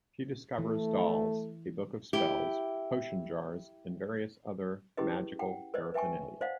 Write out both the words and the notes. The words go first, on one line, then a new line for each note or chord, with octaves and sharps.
She discovers dolls, a book of spells, potion jars, and various other magical paraphernalia.
E3 A3
E4 G4
C#4 E4 G4 G#4 B4 D#5
F#5 G5
B4 C5 D5 D#5
B4 E5 G5 G#5 C#6
C5 D5 D#5 F5 F#5